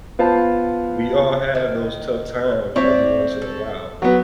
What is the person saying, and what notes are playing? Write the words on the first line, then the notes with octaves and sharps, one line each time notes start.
we all have those tough times every once in a while"
B3 F4 C5 A5
D#3
C4 C#5 D5 E5
A4
F#3 B3